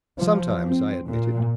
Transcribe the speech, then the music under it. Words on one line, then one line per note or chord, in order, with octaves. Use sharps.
"Sometimes," I admitted.
F3
C4
A#2